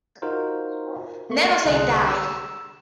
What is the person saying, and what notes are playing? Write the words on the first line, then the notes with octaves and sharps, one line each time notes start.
Never say die.
D#4 F4 F#4 A#4 C5
A3 A#3 C#6
C2 D3 G#4 C6 F#6
E6